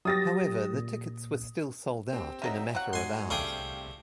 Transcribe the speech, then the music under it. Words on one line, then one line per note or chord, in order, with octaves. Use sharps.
However, the tickets were still sold out in a matter of hours.
F#3 G4 D#6 A6 A#6
A#2
C4 G4
D#3 F#3 D#4 E5
F#3 F#5
G#2 G#3 F#4 G#5 C6
C2 C3 G3 A3 D4 G#4 F5 G5